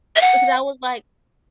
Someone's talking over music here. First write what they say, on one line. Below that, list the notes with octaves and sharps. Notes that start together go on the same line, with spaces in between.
because I was like
E5
F#5